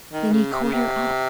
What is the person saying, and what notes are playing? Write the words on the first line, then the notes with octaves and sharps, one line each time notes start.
Then he caught her up.
D#3
C#3
C3
C#3
C3